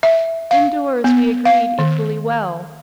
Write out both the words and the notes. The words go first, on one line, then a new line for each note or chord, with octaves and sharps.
Indoors we agreed equally well.
E5
F5
B3
F5
D#3